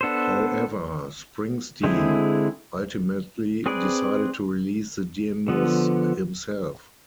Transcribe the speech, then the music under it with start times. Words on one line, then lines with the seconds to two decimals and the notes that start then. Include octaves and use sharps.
However, Springsteen ultimately decided to release the demos himself.
0.01 B3 D4 A4 C5
1.83 D3 G#3 C4 E4 G#4
3.66 C4 G#4 B4 D5
5.48 D3 F3 B3